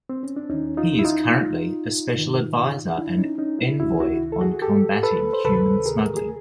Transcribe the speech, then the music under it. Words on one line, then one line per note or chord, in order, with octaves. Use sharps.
He is currently a special advisor and envoy on combating human smuggling.
C4
C#4
D4
D#2 D#3 C#4 D#4
D#4 F4
E4
D#4 F4
G#2 D#3
D4 E4
C#4 D#4
C#4 D#4
D4 E4
C#2 C3 D#3 E4 F#4
E4 F#4
A4
F#4 G#4
G4 A4
A4 B4
C5
D2 C3 D#3 A4 B4
G#4 A#4
G#4